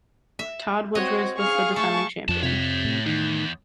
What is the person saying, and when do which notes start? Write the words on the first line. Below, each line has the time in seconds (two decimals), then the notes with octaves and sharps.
Todd Woodbridge was the defending champion.
0.39 E5
0.95 C4 F#4 C#5 D#5
1.37 G#4 F5 C#6 F6
1.76 A3 A5 C#6
2.28 F2 F3 C#4 A5
2.43 C3 C#5 E5
2.85 A2
3.06 E2 D#3